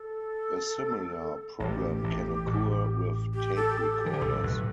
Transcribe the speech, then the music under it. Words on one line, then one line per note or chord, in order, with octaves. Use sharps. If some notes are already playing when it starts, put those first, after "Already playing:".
A similar problem can occur with tape recorders.
Already playing: A4
A1 A2 G4 A4
A1 A2
A1 A2
G4
A4
G4
A4
G4
E3
D3
B1 B2 A4
A2
B1 B2 B4
A2